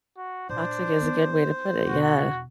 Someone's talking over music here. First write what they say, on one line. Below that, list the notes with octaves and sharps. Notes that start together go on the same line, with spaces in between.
Toxic is a good way to put it, yeah.
F#4
A#2 D4 C5
B3 D#4
E1 F#4